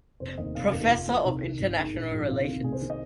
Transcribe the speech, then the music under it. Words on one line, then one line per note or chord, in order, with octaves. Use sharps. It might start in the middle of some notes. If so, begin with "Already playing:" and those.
Professor of International Relations.
F1 C5
D#2 D#3 D#5
F1 F5
D#5
D#2 D#3 A#4
G#4
F1 F4
F2 C3 F3
C2 D#4
C3 D#3
G#1
G#2 D#3
A#1
G#2 F3
C2 F4
C3 D#3
C2 G#4
C5
C3 D#3
D#5